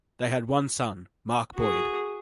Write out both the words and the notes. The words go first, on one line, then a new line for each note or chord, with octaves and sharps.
They had one son, Mark Boyd.
F#4 G#4